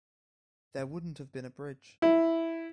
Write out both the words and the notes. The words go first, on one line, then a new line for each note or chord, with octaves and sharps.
There wouldn't have been a bridge.
E4